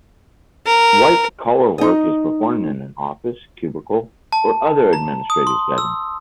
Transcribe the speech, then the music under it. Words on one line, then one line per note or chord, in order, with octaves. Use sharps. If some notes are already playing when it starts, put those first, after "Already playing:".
White-collar work is performed in an office, cubicle, or other administrative setting.
A#4
D#4 D#5
A5
A#5
D#6
C6
E6